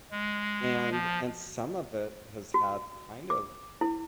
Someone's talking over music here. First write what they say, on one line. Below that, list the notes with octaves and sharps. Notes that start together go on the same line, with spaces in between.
and and some of it has had kind of
G#3
F3
F#4
D6
E4